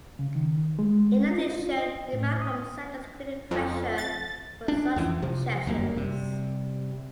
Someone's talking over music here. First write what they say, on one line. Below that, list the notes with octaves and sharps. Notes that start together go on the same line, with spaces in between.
In addition, demand from settlers created pressure for such cessions.
C#3
D#3
G#3
F4
F4
D#5
A2
D#6
F2
A6
C#4 D4
F2 E3
C3 F3
G1 F#2 A#3
C3 G3